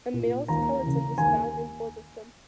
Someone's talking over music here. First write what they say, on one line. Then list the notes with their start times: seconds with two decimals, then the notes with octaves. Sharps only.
A male skeleton was found in both of them.
0.14 A#2
0.48 D#2 A#5
0.83 C#3 E3
1.18 D#2 G#5